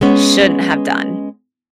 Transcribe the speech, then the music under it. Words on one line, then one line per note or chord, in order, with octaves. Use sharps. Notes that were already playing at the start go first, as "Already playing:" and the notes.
shouldn't have done?
G#3 B3 C#4